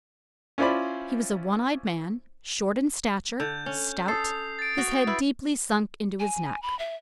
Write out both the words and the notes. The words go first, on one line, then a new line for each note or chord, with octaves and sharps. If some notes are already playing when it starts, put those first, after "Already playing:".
He was a one-eyed man, short in stature, stout, his head deeply sunk into his neck.
C#4 E4 F4 C5 D5 B5
D3 G6
C#4
A4 D#6 C7
A6 D7
F#4
E4 B4
G#5
B5
E5